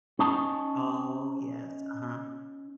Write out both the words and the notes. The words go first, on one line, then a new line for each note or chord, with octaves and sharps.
Oh, yes, uh-huh.
C#4 D#4 A5